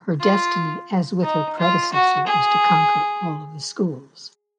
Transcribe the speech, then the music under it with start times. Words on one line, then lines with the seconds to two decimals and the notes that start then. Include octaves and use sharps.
Her destiny, as with her predecessor, was to conquer all of the schools.
0.21 F4
1.23 D#4
1.59 F4
1.93 F#4
2.27 G#4